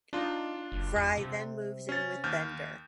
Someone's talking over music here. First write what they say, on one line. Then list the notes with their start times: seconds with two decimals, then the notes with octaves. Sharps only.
Fry then moves in with Bender.
0.13 D4 D#4 F4
0.72 F#1
0.96 E2
1.18 C3
1.89 C#4 A6
2.24 D#2 F6 G6